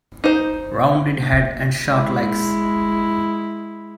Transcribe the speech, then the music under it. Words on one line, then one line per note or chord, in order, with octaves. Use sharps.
Rounded head and short legs.
D#4 C5
G#3 E4